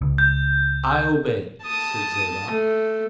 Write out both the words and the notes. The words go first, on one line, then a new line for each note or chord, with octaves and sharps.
"I obey," said Zadok.
C#2
G6
A5 D#6
A3